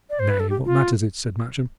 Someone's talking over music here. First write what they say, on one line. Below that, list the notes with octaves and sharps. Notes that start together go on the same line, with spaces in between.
"Nay, what matters it?" said Matcham.
D5
C5
B4
A4
G4
F4